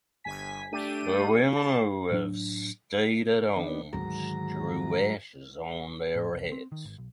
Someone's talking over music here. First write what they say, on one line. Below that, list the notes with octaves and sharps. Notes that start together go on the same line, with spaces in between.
The women who have stayed at home strew ashes on their heads.
G1 G#5 B6
A3 D4 G4 D#7
A5
A2 F#3 D4
D#3 B3 D4
D2 G#2 D#3 F#3 A#5
A2
C2
C4
D#3
G#1
B1